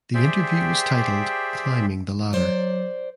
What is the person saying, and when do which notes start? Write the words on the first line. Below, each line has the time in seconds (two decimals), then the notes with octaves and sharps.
The interview was titled "Climbing the Ladder".
0.14 G4 G#4 C5 D5 E5 G5
2.33 F#3 C5 D5